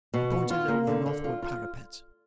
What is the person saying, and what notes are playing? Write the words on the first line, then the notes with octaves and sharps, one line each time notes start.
He pointed over the northward parapet.
B2
B3
F4
A#3
D3
D3
F4
F4